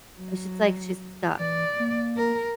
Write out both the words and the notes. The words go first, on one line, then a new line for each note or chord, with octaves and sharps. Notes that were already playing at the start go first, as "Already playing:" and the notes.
It's just like she's stuck.
F#3
E3 D5
A#3
A#4